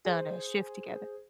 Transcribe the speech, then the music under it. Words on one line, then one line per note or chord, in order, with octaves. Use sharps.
done a shift together-
G#4 C5